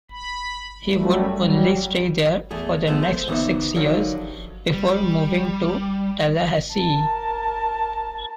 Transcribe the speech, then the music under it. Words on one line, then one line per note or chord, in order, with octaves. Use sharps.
He would only stay there for the next six years before moving to Tallahassee.
B5
F#2 F#3 G3 A3
F#3 G3
E2 A3 G#4
F3 G#3 A3 B3
C5
D2 E3 B3 D#4 D#5 E5
D3 F3 F#3 D#4 G4 A#4
G3
A#4 A5